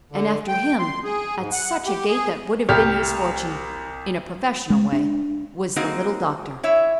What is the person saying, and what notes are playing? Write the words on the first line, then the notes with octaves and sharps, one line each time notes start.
And after him, at such a gait that would have been his fortune, in a professional way, was the little doctor.
D3
G5
C6
G#4
G#2
F#5
G4
G#4
C2 G4 F6
G#3
D4
A#3 C4 D#4 F#4 G#4
E4 C#5 E5